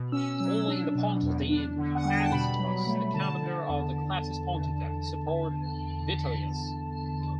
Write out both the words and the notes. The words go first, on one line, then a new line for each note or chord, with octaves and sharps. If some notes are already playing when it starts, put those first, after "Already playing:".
Only in the Pontus did Anicetus, the commander of the "Classis Pontica", support Vitellius.
Already playing: B2
C#4 E6
F#3 E6
D4
B2
E2
D4
D3
F#5
G3 G5
A5
B2 B5
F#3
A3
D3 A5
D3
E2